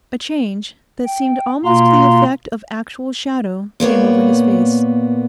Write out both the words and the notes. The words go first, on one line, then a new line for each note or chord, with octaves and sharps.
A change, that seemed almost the effect of actual shadow, came over his face.
G5
B2 A#3 F4 F5 A#5 C6
A#2 A#3 B3 C#5